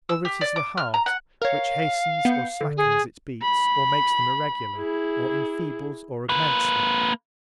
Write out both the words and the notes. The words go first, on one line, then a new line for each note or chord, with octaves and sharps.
Or it is the heart, which hastens or slackens its beats, or makes them irregular, or enfeebles, or augments them.
E6
G4
D5
D6
F6
A#5
F#5
A#4 C#5 F5
B3 G6 C#7
D3
G#4
B5
E4 G#4
A#3 B4